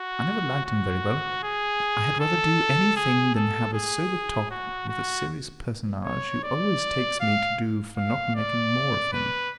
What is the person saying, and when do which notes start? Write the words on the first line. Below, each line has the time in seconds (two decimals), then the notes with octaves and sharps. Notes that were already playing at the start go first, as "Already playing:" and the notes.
I never liked him very well; I had rather do any thing than have a sober talk with a serious personage, who always takes me to do for not making more of him.
Already playing: F#4
0.65 F#4
1.43 G#4
2.20 A4
2.96 G#4
3.35 A4
3.73 G#4
4.51 F#4
4.88 F#4
6.04 C#5
6.43 D5
7.20 F5
7.97 F5
8.35 D5
9.12 B4